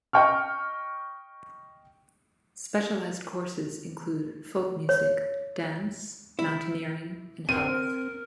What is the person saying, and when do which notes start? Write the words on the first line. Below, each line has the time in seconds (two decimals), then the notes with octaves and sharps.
Specialized courses include folk music, dance, mountaineering and health.
0.13 D#5 G5 C#6 F6
4.89 C#5
6.39 E4
7.49 C4 A#4 D#7